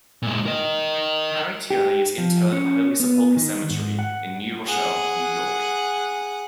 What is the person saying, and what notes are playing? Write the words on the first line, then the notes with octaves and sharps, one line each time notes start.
Harry Tierney is interred at Holy Sepulchre Cemetery in New Rochelle, New York.
A#2 G#3
A#4 D#5
G4
F3
C#4
B3
D#3
G#2
F#5
G#4 F#5